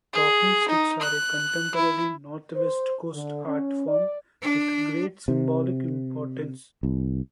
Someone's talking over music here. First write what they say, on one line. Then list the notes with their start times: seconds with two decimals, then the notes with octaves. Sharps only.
Talking sticks are a contemporary Northwest Coast art form with great symbolic importance.
0.13 G#4
0.69 D#4
1.01 F#6
1.75 E4
2.55 C5
3.12 D3
3.45 C#4
3.87 D5
4.42 D4
5.28 C3
6.83 C2